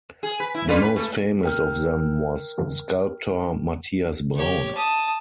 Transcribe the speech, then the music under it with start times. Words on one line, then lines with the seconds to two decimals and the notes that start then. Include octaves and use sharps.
The most famous of them was sculptor Matthias Braun.
0.23 G#4
0.40 B4
0.55 E4
0.69 C#3 F4 B4
0.82 B4
0.96 A3 A4
1.43 A#4 G5 F6
4.35 G4 C#5
4.75 A5 D#6